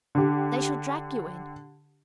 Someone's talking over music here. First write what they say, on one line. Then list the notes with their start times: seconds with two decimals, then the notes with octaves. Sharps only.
"They shall drag you in."
0.15 D3 G4